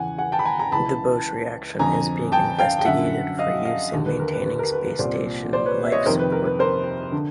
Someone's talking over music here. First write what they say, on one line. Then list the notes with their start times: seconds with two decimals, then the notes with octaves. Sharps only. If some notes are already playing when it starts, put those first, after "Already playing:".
The Bosch reaction is being investigated for use in maintaining space station life support.
Already playing: E2 C#3 E3 F#5 G#5
0.18 F#5 G#5
0.32 G5 A5
0.39 B5
0.45 G#5 A#5
0.59 G#5 A#5
0.72 C#2 C#3 E3 A5 B5
1.79 F2 D3 G#5 A#5
2.32 G5 A5
2.59 F5 G5
2.79 G5
2.85 F#2 D3 E5 F#5
3.39 D#5 F5
3.65 D#5 F5
3.93 D#2 D3
4.06 B4
4.20 A#4
4.33 B4
4.46 B4
4.59 A#4
4.73 B4
4.99 C2 A#2 C5 D5
5.53 C5 D5
5.66 B4 C#5
5.85 E5
5.92 C#5 D#5
6.05 F2 C3 D#3 A#4 C5
6.19 B4
6.32 A#4
6.45 B4
6.59 A#4 C5
7.12 D3